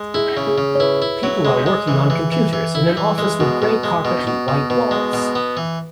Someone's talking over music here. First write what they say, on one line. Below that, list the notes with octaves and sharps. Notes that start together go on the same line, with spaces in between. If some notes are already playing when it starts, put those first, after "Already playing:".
People are working on computers in an office with gray carpet and white walls.
Already playing: G#3
E4 G#4
C#3
G#4
C#3
C#5
E4 B4
E4
F#3
G#3 G#4
G#3
E3
E3
E3
E3
E4
E3
G#3
B2 F#4
B2
G#3
B2
B2
B2
B2 B4
G#3
B2
B3
E3